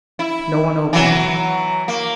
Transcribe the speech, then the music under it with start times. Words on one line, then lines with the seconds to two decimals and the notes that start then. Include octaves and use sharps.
No one opened.
0.19 E4
0.93 E3 F#3
1.88 A#3